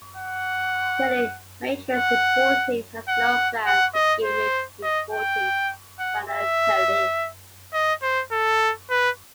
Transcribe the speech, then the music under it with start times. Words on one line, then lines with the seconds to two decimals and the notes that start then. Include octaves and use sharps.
Currently Matrics Importing has no plans to begin re-importing Vana Tallinn.
0.17 F#5
1.91 F#5
3.08 F#5
3.66 F#5
3.95 D#5
4.24 C5
4.83 D#5
5.12 G5
5.99 F#5
6.28 E5
7.73 D#5
8.02 C5
8.32 A4
8.90 B4